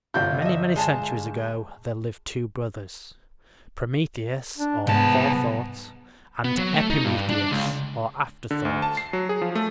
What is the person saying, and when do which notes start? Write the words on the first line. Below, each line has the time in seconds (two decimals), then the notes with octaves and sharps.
Many, many centuries ago there lived two brothers, Prometheus or Forethought, and Epimetheus or Afterthought.
0.14 G1 C3 A3 F4 G6
0.42 D#5 E5
0.76 G#3 A5
4.58 D4
4.87 C2 G#2 B3 A5
6.45 B3
6.58 F#3
6.74 A3
6.90 D#4
7.04 G2
7.30 D4
7.51 C#2
8.51 D3
8.65 D2
8.82 A5
8.97 C7
9.13 F#3
9.29 G#4
9.42 F3
9.55 A3